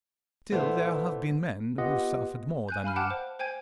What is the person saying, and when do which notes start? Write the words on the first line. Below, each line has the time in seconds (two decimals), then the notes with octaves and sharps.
"Still, there have been men who suffered more than you."
0.51 A#2 E3 B3 A4 C5
1.78 B3 F4 G4 D#5 F#5
2.69 G#5 F#6 G6
2.84 F5 G#5 B5 F6
2.96 F#5 G5 A5 D6 F#6 E7
3.10 C5
3.39 C5 G5 G#5 G#6